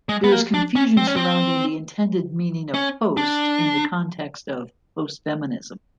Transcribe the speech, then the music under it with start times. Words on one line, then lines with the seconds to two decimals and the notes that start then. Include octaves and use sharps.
There is confusion surrounding the intended meaning of "post" in the context of "postfeminism".
0.09 G#3
0.24 B3
0.32 A#3
0.54 D4
0.76 C#4
0.97 C4
1.07 C#4
1.16 C4
2.74 C#4
3.17 D4